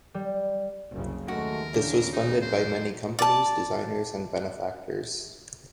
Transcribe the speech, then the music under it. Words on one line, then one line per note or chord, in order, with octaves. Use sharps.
This was funded by many companies, designers and benefactors.
G3
F#1 C2 C#3
D#2 F#3 G#3 A3 F#4 A#4
C#3 D4
D#4
A2 F#3 C5
D5 A5